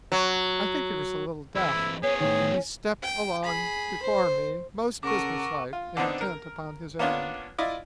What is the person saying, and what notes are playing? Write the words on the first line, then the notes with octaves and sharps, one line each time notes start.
I think he was a little deaf, and he stepped along before me most businesslike and intent upon his errand.
F#3
E3 C4 E4
B3 C#4 G#4 C#5
A2 D#3 C#5
G5
G#4 B5
C5
C#3 A4 A#4 F#5 C#6 D6
F4
D3 B3 C4 D4 D#4
A#4
A#3 B3 C#4 D4 F4
E4 F4 D5 D#5